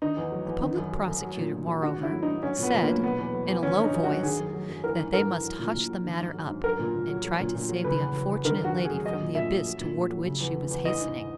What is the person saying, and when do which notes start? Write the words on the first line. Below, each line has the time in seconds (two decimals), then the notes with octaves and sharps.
The public prosecutor, moreover, said, in a low voice, that they must hush the matter up, and try to save the unfortunate lady from the abyss toward which she was hastening.
0.02 D#3 D#4
0.17 E2
0.32 F#3
0.47 E2
0.62 D#3
0.77 F#2
0.92 F#3
1.08 F#2
1.22 F#3
1.37 A#2
1.53 A#2
1.68 F#3
1.82 D#3 F#4
1.98 G#2
2.03 E4
2.13 F#3
2.23 G#2 D#4
2.43 F#3 C#4
2.58 A#2
2.63 B3
2.73 A#2
2.83 A#3
2.88 F#3
3.02 B2 B3
3.19 E2
3.33 F#3
3.48 E2
3.63 D#3 C#4
3.78 G#2
3.84 D#4
3.93 F#3
4.03 G#2 F#4
4.23 D#3 G#4
4.39 F#2
4.53 F#3
4.69 F#2
4.84 E3 A#4
4.98 G#2
5.13 G#2 A#4
5.29 E3
5.44 F#3
5.59 A#2
5.73 A#2
5.90 F#3
6.04 D#3
6.19 G#2
6.34 F#3
6.49 G#2
6.64 F#3 A#4
6.79 A#2
6.95 A#2
7.09 F#3
7.25 F#3
7.40 A#2
7.54 A#2
7.69 F#3
7.84 C#3 B4
8.00 E2
8.15 F#3
8.30 E2
8.45 D#3 A#4
8.60 F#2 F#4
8.76 F#3
8.85 G#4
8.90 F#2
9.05 F#3 D#5
9.21 A#2
9.35 A#2 E5
9.50 F#3
9.66 F#3
9.80 A#2
9.96 A#2
10.10 F#3
10.25 C#3
10.41 E2
10.55 E3
10.71 E2
10.85 E3 D#5
11.01 G#2